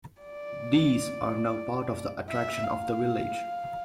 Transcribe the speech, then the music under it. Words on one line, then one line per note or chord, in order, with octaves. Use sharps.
These are now part of the attraction of the village.
D5
E5
F5